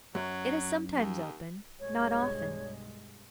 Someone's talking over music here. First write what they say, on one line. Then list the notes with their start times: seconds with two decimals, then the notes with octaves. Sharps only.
It is sometimes open--not often.
0.15 F#2 F#3
0.91 D#2
1.80 B1 G2 G#3 C#5